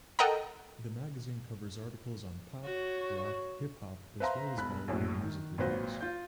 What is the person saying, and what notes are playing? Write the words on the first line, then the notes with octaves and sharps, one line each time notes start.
The magazine covers articles on pop, rock, hip-hop as well as Bollywood music reviews.
A4 A#4 D#5 F#5 G5 A#5
F#4 C#5
B4 C5 E5 F5 A#5 C6
E1 B5 F#6
A#1 F#2 A2
D#3
G#1 A#2 F#3 B4 C5 A#6
F4 G6